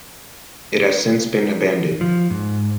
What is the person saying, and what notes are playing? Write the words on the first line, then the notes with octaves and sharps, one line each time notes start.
It has since been abandoned.
F3
G#2